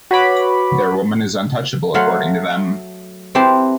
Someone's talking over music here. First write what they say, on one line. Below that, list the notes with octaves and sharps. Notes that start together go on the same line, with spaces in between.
Their woman is untouchable according to them.
F#4 B4 C#5 B5 D6
F#3 A3 F5 F#5 C6
C4 E4 G4 B4 C5 A5